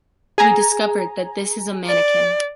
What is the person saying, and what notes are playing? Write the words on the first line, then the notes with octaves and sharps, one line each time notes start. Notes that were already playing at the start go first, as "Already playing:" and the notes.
We discovered that this is a mannequin.
G#4 G#5 A#5
D5